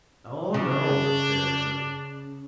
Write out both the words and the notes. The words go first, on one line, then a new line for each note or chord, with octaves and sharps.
"Oh no," said Emerson.
C#3 D4